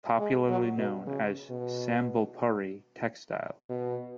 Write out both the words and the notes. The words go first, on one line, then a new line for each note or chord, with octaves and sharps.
Popularly known as Sambalpuri Textile.
G#3
F#3
B2
C#3
B2
B2